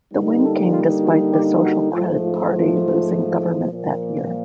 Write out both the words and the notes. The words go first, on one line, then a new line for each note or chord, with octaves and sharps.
The win came despite the Social Credit party losing government that year.
D3 G3 A#3 D#4
A4
F4
F#4
G4
F#4
G#2 F3 A3 F4
F4
F4
A#2 F3 A#3